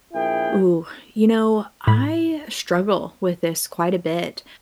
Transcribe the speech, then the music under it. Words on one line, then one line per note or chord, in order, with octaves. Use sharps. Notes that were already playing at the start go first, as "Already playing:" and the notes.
Ooh, you know, I struggle with this quite a bit,
A#1 E4 G#4 G5
A2 B5